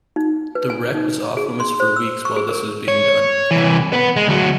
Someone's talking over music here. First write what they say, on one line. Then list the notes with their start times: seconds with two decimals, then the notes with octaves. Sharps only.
The wreck was off limits for weeks while this was being done.
0.16 D#4
0.55 B4
0.70 G#5
0.95 D#4
1.37 G#4
1.60 C6
1.80 C5
1.96 E6
2.25 C#6
2.36 G#4
2.49 A#4
2.88 C#5
3.51 C2 E3
3.93 B3 B4
4.16 G#3
4.28 D2 F#3